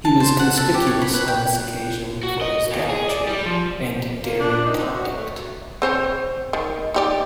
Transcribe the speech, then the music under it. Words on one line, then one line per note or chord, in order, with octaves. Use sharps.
He was conspicuous on this occasion for his gallantry, and daring conduct.
A5
C5
F#5
A4
G4
C#5
B5
B4
G5
F#4
D#5
D#2
G#4
D5
G3
F3
A#3
D4
D#4
C4
F#4
A3
C4 C5 C#5
D#3
D#4 G4 D5